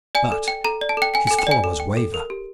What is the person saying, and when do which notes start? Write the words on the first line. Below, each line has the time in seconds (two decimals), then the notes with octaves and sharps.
But his followers waver.
0.15 D5 G#5
0.32 A4
0.48 G5
0.64 A4 A#5
0.81 D5
0.89 A5
0.97 A4 G5
1.14 G5 G#5
1.27 A4 G#5
1.39 G5
1.47 D5 G#5
1.64 A4
1.80 G5
1.97 A4
2.14 A#4
2.30 G4